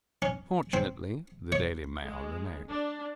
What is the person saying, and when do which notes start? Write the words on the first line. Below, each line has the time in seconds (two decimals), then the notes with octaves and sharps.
Fortunately "The Daily Mail" remained.
0.22 C#4
0.73 C4
1.52 C#5
2.04 G#3
2.70 D4